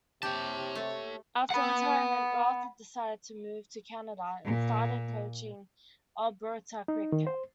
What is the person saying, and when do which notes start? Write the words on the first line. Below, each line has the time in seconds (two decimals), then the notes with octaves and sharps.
After retirement, Raza decided to move to Canada, and started coaching Alberta cricket.
0.23 C3 G4 C#5 A5
0.75 A3
1.50 F#5 B5
4.46 A#2
6.88 D#4
7.12 D#3
7.27 C5